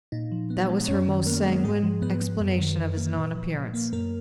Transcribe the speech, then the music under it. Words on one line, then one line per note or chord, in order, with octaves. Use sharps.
That was her most sanguine explanation of his non-appearance.
A#2 D#4
F3
B3
G#3
F#2 C#4 C#5
D#3
A#3 B3 A#4
G#3
G#2 G#3 G#4
F3
G#2 B3 B4
B3
F#2
D#3
F#2
A#3
A#2
F3
A#2
A#3
F#2 A#3 A#4